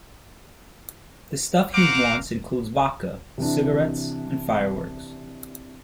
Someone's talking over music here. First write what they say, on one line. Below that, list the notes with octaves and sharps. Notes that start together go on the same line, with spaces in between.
The stuff he wants includes vodka, cigarettes and fireworks.
F#4 C5 F5 F#5 A#5 D6
C3 E3 D4